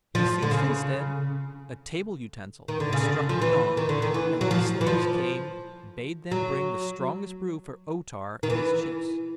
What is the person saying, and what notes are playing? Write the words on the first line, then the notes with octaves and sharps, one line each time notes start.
He seized instead a table utensil and struck the gong, and when the slaves came bade them bring the strongest brew for O-Tar and his chiefs.
F3
D3
C#3
D#3
D3
C#3
D3
F3
E3
D#3
D3
D#3
E3
F#3
F3
E3
F3
F#3
D#3
E3